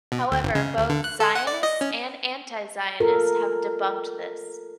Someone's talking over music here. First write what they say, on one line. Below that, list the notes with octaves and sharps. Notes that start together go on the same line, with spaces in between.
However, both Zionists and Anti-Zionists have debunked this.
B2
D2
G1
C#3
D2
D3
F#6
A4
F#5
D5
D#5
C#4
F4 A4 A#4